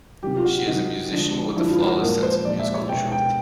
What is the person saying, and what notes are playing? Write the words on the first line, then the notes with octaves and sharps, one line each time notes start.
She is a musician with a flawless sense of musical truth.
C3 D#3 F#3 G4
F4
F#4
C3 D#3 F#3 D#4
D3 F3 G#3
D3 F3 G#3 E4
F4
F#4
A#2 F3 G#3 A#4
C5
A#2 F3 G#3 D5
E5
C#5
B2 G#3 G5
G5